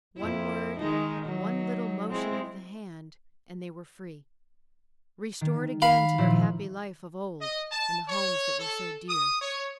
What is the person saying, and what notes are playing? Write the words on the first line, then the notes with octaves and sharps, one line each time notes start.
One word, one little motion of the hand, and they were free, restored again to their happy life of old and the homes that were so dear.
F2 E4
D#3 G#3 D#4
F#3 D#4
G#3 C4 E4
D#3
F5 B5
A#2 F3 E4
D#5
A5
C#5
A4
D#6
C#5